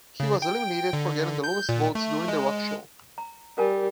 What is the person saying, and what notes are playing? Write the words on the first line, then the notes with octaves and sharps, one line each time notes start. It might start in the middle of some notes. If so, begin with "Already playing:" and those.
He was eliminated for getting the lowest votes during The Rock Show.
C#3
G5
D3
G6
A#2
A3
G#3
A#5
G3 A#4 G#5 A5